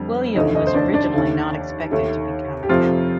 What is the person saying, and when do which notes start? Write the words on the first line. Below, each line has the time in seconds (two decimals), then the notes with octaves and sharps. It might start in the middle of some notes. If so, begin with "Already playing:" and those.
William was originally not expected to become count.
Already playing: F2 D3 G3
0.35 F1 D#2 D3 A3 D#4 D#5
0.56 D#4 D#5
0.67 C5
0.75 D4 D5
0.94 D4 D5
1.13 D#2 D#3 A3
1.91 D#2 D#3 A3
2.63 G4
2.69 F2 C3 F3 A3 F4